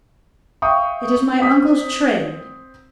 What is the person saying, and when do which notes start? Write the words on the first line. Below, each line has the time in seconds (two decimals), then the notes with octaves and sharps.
"It is my uncle's trade."
0.62 E5 F5 G5 C#6 D#6
1.42 C4 D#6 B6